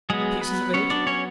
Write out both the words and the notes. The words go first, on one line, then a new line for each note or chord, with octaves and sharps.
Pieces of eight!
F#3 G#3 B3 G#4
B3 B4
F#3 B3 C#4 C#5
D4 D5
C#4 C#5